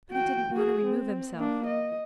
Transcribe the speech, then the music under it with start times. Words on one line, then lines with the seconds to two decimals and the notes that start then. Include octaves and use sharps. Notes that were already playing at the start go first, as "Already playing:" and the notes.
But he didn't want to remove himself.
0.11 F#4 G5
0.52 F#4 G#4
0.85 C4
1.37 A#3 D4
1.67 D#5